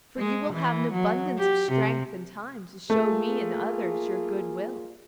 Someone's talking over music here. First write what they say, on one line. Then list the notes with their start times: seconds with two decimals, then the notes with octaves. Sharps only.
For you will have an abundance of strength and time to show me and others your good will.
0.18 G#3
0.53 E3
0.93 F#3
1.38 G4
1.72 C3
2.90 A3 A#3 F4 G#4